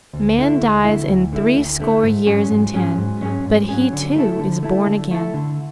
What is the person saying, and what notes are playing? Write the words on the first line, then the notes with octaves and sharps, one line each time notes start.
Man dies in three score years and ten; but he, too, is born again.
D2
D3 A3 E4
D2
D3 A3 E4
D2
D3 A3 E4
D2
D3 A3 E4
G#2
F#3 C#4 G#4
G#2
F#3 C#4 G#4
G#2
F#3 C#4 G#4
G#2
F#3 C#4 G#4
D3
A3 E4 A4
D3
A3 E4 A4
D3
A3 E4 A4
D3